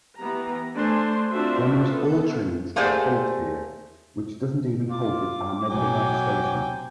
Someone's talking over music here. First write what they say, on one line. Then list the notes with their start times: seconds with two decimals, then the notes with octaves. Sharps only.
Almost all trains have halt here which doesn't even halt at Ahmednagar station.
0.18 E3 B3 G4 A#5
0.76 A3 D4 C5 G#5 C6
1.31 C4 D4 F4 F#4 C5 E5
1.89 B3 A4
2.76 A3 A#3 G4 G#4 C5 D5
4.90 F4 D6
5.70 A1 B2 F#3 G5 G#5
6.51 C3